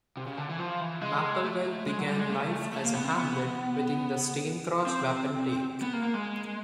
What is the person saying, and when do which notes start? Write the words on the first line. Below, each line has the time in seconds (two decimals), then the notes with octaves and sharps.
Mapplewell began life as a hamlet within the Staincross Wapentake.
0.17 C3
0.27 C#3
0.37 D3
0.49 E3
0.59 F3
0.80 E3
1.01 G#3
1.44 A3
1.87 G#3
1.98 F#3
2.08 G3
2.19 G#3
2.29 A3
2.73 A3
2.84 A#3
2.94 B3
3.04 C4
3.15 B3
4.87 C4
5.82 B3
5.93 A#3
6.03 A#3
6.14 G#3